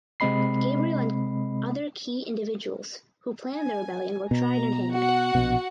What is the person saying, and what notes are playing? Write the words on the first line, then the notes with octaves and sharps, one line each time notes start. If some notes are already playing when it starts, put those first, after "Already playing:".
Gabriel and other key individuals who planned the rebellion were tried and hanged.
C3 G#3 C4 D#5 B5 C7
G#5
B2 A#5
F#4 F#5
A#1 B2